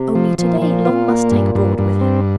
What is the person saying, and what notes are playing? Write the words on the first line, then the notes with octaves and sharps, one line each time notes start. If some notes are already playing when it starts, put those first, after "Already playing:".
Only to-day, Long must take Broad with him.
Already playing: C3
F3
A#2 F3
F3
F4
A#3
G2
G2
G2
C4